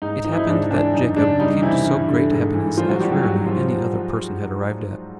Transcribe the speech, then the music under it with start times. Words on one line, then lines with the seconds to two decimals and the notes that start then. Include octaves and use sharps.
It happened that Jacob came to so great happiness as rarely any other person had arrived at.
0.02 G#2 D#4
0.24 F3 D#4
0.32 E4
0.39 D#4
0.48 G#2 D4
0.71 E3 D4
0.93 F#2 D#4
1.16 C#3 D4
1.40 G3 D#4
1.62 C3 E3 E4
1.86 G2
2.08 D3
2.31 G#2
2.55 E3
2.77 F3 G3 F4
2.89 F#3 F#4
3.00 G3 G4
3.12 F#3 F#4
3.23 G#2 F#3 F#4
3.46 F3 F4